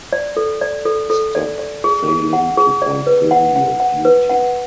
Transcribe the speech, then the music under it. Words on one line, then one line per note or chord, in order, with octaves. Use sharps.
Stop failing to fulfill your duty.
D5
A4
D5
A4
A4
D5
D5
G#4
G#4
F#5
G#4
D5
B4
F#5
F#5
F#5
B4
F#5